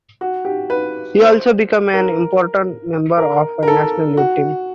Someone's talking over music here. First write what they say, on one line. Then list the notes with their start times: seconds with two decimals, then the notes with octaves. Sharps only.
He also became an important member of the national youth team.
0.21 F#4
0.45 G4
0.70 B4
1.20 C5
1.94 A#4
3.18 A#4
3.63 A#4
3.68 A4
4.17 F#4